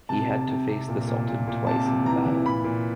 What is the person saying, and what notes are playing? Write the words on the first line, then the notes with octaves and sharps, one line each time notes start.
He had to face the Sultan twice in the battle.
C3 A5
C3
C3
C3
A#2
A#2
A#2
A#2
C3 A5
C3
E3 A#5
E3
A#2 B5
A#2